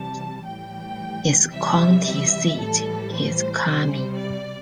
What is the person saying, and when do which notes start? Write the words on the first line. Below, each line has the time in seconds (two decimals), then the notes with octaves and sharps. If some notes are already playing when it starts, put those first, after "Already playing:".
Its county seat is Carmi.
Already playing: C3 E3 G3 A5
0.46 A2 E3 G3 G5
1.52 C3 E3 G3 E5
2.05 E5
2.58 A2 E3 G3 A4
3.12 C5
3.65 C3 G3 C5
4.18 D5